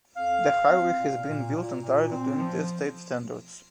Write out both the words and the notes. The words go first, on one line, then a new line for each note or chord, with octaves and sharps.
The highway has been built entirely to Interstate standards.
F2 F5
C4
C4
A#2
A#2
A#2
A#2
C4
F3